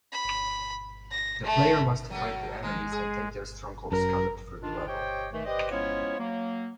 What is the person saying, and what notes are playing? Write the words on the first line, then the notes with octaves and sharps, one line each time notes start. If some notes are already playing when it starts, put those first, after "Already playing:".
The player must fight the enemies and take their strongholds scattered through the level.
B5
A#6
A3
F#3 A3 A#3
D#3 G#3 A#4
G#4
F#2 A#4
D#3 D4 F4
G4 C5 C#5 D#5 G5
D#3 E3 A3
G4 B4 C5 D5 D#5
F3 G#3 B3 C#4 E4 C#5
F#3 A#3